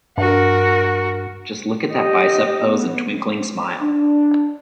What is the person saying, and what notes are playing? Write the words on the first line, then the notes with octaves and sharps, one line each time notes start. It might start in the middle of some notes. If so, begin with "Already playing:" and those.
Just look at that bicep pose and twinkling smile.
G2 F#4 A#4
G4 D#5
B3
D4